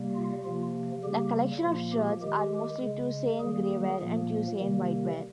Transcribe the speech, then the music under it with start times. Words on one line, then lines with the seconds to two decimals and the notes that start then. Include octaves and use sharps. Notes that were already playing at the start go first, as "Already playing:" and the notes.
The collection of sherds are mostly Tusayan Gray Ware and Tusayan White Ware.
Already playing: C3 G3 A#3
0.15 F4
0.44 C3 F3 A#3 F4
1.03 C#3 G3 A#3 G4
1.62 A#2 F3 A#3 F4
1.92 G4
2.22 D#3 G#3 G4
2.82 C#3 G#3
3.40 D#3 G3 A#3 G#4
4.00 A#2 F3 A#3
4.60 C3 D#3 G3 A#3